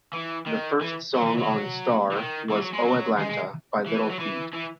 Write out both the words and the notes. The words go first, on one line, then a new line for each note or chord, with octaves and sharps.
The first song on "Star" was "Oh Atlanta" by Little Feat.
E3
D#3
E3
F#3
E3
F#3
E3
D#3
E3
F#3
G#3
F#3
G#3
G#3
E3
F#3
E3
E3